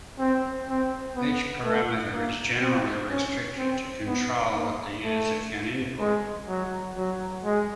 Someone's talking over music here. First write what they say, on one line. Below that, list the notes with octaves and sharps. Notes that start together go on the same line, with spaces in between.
Each parameter is generally restricted to control what the user can input.
C4
C4
B3
A3
A#3
C4
C#4
C4
B3
A#3
A3
G#3
F#3
F#3
G#3